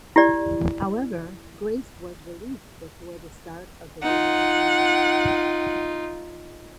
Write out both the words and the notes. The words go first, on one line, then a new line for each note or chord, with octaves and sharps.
However, Groce was released before the start of the regular season.
E4 G4 D5
D#4 F4 F#5